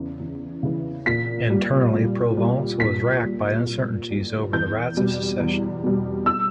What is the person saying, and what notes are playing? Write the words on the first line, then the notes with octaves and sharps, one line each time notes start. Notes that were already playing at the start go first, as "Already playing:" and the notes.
Internally, Provence was racked by uncertainties over the rights of succession.
Already playing: E2 C#3 E3
E2
C#3 E3
A#2 B6
G3
A#2
G3
A#2 B6
G3
A#2
G3
E2 G6
B2 G3
E2
B2 G3
E6